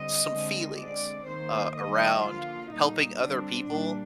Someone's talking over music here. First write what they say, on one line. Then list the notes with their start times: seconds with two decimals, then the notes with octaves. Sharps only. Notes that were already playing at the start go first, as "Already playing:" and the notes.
some feelings, uh, around helping other people
Already playing: D3 G3 C4 D#5
0.31 D3 G#3 C4
0.79 D3 G#3 C4 D5
1.27 D#3 A#3 C5
1.75 D#3 G3 A#3 D#5
2.24 D3 F3 A#3 F4
2.73 A#2 G3 A#3 D#4
3.21 D3 G3 C4 D4
3.70 A#2 G3 A#3